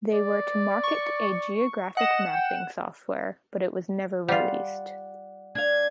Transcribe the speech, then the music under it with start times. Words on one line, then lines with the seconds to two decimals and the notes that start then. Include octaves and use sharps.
They were to market a geographic mapping software, but it was never released.
0.13 D5
0.84 C#6
1.97 D#5 F#5 E7
2.33 G5
4.28 G3 F4 D5 F#5
5.55 D4 F5 G#6